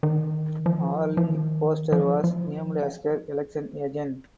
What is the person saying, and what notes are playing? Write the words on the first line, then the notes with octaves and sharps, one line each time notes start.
Arlene Foster was named as her election agent.
D#3
F3
F3
D#3
F3
F3